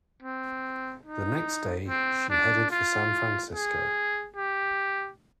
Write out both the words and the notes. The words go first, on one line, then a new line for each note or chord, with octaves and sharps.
The next day, she headed for San Francisco.
C4
D#4
C4
D4
F4
G#4
G4